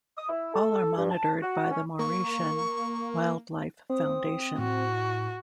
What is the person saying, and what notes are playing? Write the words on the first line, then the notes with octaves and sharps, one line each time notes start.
All are monitored by the Mauritian Wildlife Foundation.
D#6
E4
A4
G2
A5
F#4
C#4
A#3 C#6
C4 D#6
A2 F#4